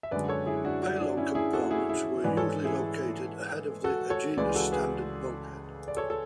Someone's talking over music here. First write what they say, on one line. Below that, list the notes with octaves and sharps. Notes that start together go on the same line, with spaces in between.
Payload components were usually located ahead of the Agena's standard bulkhead.
E5
F#2 D3 G#3 B4 D5
A4 C#5
E4 G#4
D4 F#4
D4 F#4
D4
C#4 E4
E4 G#4
F#4 A4
E4 G#4
E4 G#4
G#2 E3 G#3 B4 D5
A4 C#5
E4 G#4
F#4 A4
A4 C#5
C#2 C#3 E3 G#3 B4 D5
F#4 A4
G#4 B4
D5
A4 C#5
A4